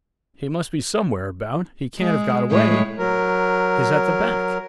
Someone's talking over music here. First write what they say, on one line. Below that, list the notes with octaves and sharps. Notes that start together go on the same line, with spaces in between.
He must be somewhere about,--he can't have got away,--he's at the back.
G#3
A2 G#3 C#5
F#3 A#4